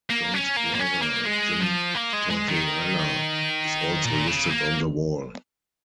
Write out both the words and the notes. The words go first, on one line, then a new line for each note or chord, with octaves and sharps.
John's brother Jim Tortorella is also listed on the wall.
A#3
C#4
A#3
A#3
C#4
A#3
G#3
F3
A#3
G#3
G#3
D#3
A#2
C#3
A#3